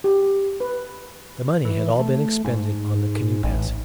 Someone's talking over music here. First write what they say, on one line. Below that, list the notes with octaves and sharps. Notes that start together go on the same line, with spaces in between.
The money had all been expended on the canoe passage.
G4
B4
E3
A3
G#2
A1